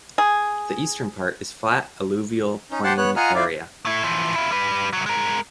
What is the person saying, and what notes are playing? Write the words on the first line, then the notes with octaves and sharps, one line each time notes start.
The eastern part is flat alluvial plain area.
G#4
C#4 D#4
G4 C5 F#5 A5
B3 C#5 F#6
F4 D#5 F#5 G#5 A#5 F6
E4 F4 D5
A3 E4
E3 F3
E4 F4
G3 B4
C2 F#3
G#3 A#4